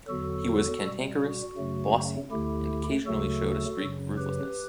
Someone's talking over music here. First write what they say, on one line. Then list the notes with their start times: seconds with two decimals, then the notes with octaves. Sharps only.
He was cantankerous, bossy and occasionally showed a streak of ruthlessness.
0.08 E2 D3 F#3 F#4 A4
0.83 B2 G3
1.21 F#4
1.57 F#2 C#3 F#3 A3
2.31 D2 D3 A3 E4 G4
3.05 D2 C#3 F#3 A3 F#4 A4
3.80 F#2 C#3 F#3
4.17 G4 B4